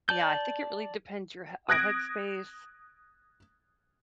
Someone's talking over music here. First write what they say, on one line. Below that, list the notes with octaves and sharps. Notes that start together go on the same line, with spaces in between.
Yeah, I think it really depends your h our headspace,
D5 A5 G6
D#6 F#6 G#6 A#6 D7